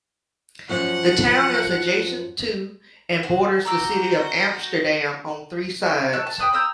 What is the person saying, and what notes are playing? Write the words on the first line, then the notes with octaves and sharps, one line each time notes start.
The town is adjacent to and borders the city of Amsterdam on three sides.
F#2 F3 C#4 F#5
F#4 G#4 C5
F#4 A#5 D6 E6 G6 A#6
C#4
A5 C#6 E6 F#6
A5
G5 B5 D#6 F#6
A#5 D#6 E6 G6